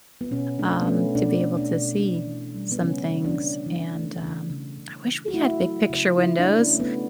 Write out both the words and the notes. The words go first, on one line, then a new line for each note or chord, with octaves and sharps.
um, to be able to see some things, and, um, I wish we had big picture windows
B3
B2 C#4
A3 D4
B3
A3 C#4
B2 D4
A3
D4
B2
E3 D4
E3
G3
B3
C#3 C#4
C#3
D4
E3
E3
A3
C#3
C#3
C#3
E3
F#4
A3 E4
F#3
C#3
C#3 E4
D4
A3
C#4
A3
B3